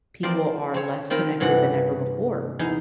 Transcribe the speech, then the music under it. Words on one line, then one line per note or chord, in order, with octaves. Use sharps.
people are less connected than ever before.
F3 C4 A#4 D5
C4 C#5
D#3 C4 F4 A#4 B5
G2 C3 E3 F#4 F#5 B5
E2 D#4 G#4